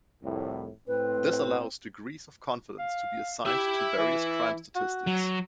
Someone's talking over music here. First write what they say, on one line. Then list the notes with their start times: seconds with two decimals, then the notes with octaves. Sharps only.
This allows degrees of confidence to be assigned to various crime statistics.
0.22 C2 F2 A2
0.88 A2 C4 B4
2.79 F5
3.46 E4 G4 E5
3.98 E3
4.75 F#4
5.07 F#3